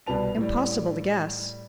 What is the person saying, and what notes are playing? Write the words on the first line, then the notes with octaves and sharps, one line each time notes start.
Impossible to guess.
C2 B2 G3 B4 A5 F7
A2 G3